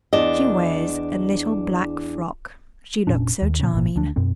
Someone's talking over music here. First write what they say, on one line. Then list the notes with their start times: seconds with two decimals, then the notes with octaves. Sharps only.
She wears a little black frock; she looks so charming.
0.13 E2 D4 D#5
3.07 F1 A#2 C#4 D4
3.42 D#2
3.60 A#2 C#3
3.73 G#1 A#2
3.96 D2 D4
4.16 F#2 B2 C4